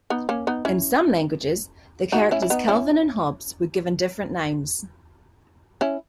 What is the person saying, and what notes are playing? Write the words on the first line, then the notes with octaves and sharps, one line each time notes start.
In some languages the characters Calvin and Hobbes were given different names.
B3 D#4
A#3 C#4
B3 D#4
C#4 E4
D#4 F#4
C#4 E4
E4
B3 D#4
C#4 E4
C#4 E4